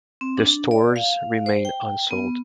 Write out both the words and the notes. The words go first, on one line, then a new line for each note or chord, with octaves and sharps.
The stores remained unsold.
C4
D4
D5
F5
C5
G5
B3